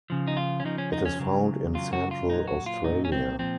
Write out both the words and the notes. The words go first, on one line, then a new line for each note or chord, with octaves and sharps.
It is found in central Australia.
C#3 F3
D#4
F4
C#4
C#3 F3 D#4
C#4
D#4
C#4
C#3 F#3
C#3 F#3 F4
F#4
F4
A#2 F#3 D#4
F#4
F4
A#2 F#3 D#4
C#4
C4
A#2 F3 C4